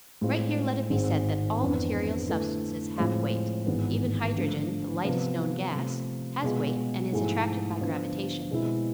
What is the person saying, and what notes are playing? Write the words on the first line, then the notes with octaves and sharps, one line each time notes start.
Right here let it be said that all material substances have weight; even hydrogen, the lightest known gas, has weight, and is attracted by gravitation.
A2 G#3 C4 F4
G#1 G#2 G#3 C4
F2 E3 B3 D4
D3 A3 E4 B4
A2 F3 G#3 C4 F4
G#1 G#2 E3 G#3 B3
D3 F3 A3
C3 F3 B3
C3 F3 A3
B2 G#3 B3 F4 G#4
G#2 F3 A3 E4 G#4
D3 F3 B3
B2 G#3 C4 E4